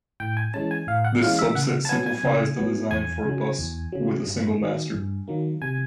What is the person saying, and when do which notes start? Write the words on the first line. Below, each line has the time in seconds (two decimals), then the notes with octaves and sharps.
This subset simplifies the design for a bus with a single master.
0.20 A2 G5
0.37 G#5
0.54 E3 G#3 C#4 A5
0.71 G#5
0.87 A2 F5
1.04 F#5
1.22 E3 G#3 C#4 F5
1.39 E5
1.55 C#3 F#5
1.85 A5
1.89 F#3 B3 G#5
2.06 G#5
2.23 C#3
2.57 F#3 B3
2.91 E2 G#5
3.25 C#3 F#3
3.59 E2
3.92 C#3 F#3
4.26 G2
4.60 D#3 F#3 A#3
4.94 G2
5.28 D#3 F#3 A#3
5.62 C3 G#5